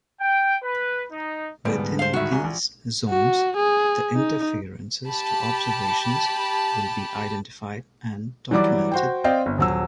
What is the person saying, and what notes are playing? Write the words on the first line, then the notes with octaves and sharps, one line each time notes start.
Within these zones, the interferences to observations will be identified and documented.
G5
B4
D#4
D2 G#2 G3 B3
C5 F5
A2 D#3 F#4 E5
C2 G#5 A#5
A#1
F#4
G#4
D#4
G4 A5 B5
E3 F#3 G3 D5 D6
F#4 C5 G5
C4 C5 D5 D#5 F5 G5
G1
D#1 F#3 E6